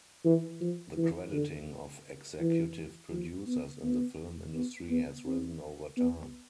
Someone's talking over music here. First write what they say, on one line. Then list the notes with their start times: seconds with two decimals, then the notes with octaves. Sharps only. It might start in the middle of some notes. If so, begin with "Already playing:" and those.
The crediting of executive producers in the film industry has risen over time.
0.24 E3
0.61 F3
0.97 E3
1.32 D3
2.40 E3
3.11 F3
3.47 B3
3.83 B3
4.54 B3
4.90 B3
5.27 C4
5.98 B3